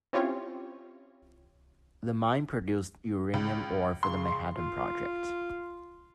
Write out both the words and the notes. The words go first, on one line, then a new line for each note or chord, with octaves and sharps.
The mine produced uranium ore for the Manhattan Project.
C4 C#4 E4 F4 G4 C#5
C#2
C#3 C6
F4